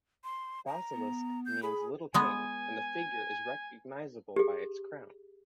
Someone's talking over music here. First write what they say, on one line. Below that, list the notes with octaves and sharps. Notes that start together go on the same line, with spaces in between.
Basilisk means "little king" and the figure is recognisable by its crown.
C6
A#5
B3
G6
G#4 B5
G#3 B3 G#5
G4 G#4